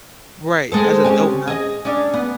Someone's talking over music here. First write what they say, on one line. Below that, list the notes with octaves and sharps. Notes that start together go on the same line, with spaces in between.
Right, as a adult now
G#3 C4 A4
C4 C#4 G4
G#4 D#5
C#4 D4
B3